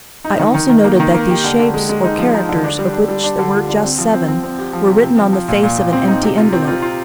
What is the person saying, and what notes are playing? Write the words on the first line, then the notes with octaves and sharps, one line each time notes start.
I also noted that these shapes or characters, of which there were just seven, were written on the face of an empty envelope.
D#4
D#3
D#3
D#3
A#3
D#3
A#3
G4
D3
D3
G#3
G#3
D#4
F3
D#4
D3
D4
G3
D4
G3
D4
D3
F4
D3
C4
F3
C4
C4
C4
G4
F3
C3
C4
F3
F3
A#2
A#2
A#2
C4
D#4
C3
F4
C4
F4
F4